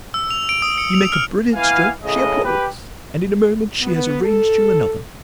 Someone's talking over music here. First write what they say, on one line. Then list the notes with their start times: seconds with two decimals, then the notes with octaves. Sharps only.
You make a brilliant stroke; she applauds, and in a moment she has arranged you another.
0.14 E6
0.30 F7
0.49 D7
0.62 D#6
0.78 C#7
0.95 F7
1.12 F6
1.54 E3 B3 F5 G#5
2.02 A2 C#3 G#3 D#5
2.44 G4 B4
3.81 B3
4.22 A4